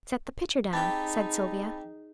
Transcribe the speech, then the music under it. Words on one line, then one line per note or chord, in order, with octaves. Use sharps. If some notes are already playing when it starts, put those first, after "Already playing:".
"Set the pitcher down," said Sylvia.
C4 D#4 G4 G#4 G5 A5 B5 A6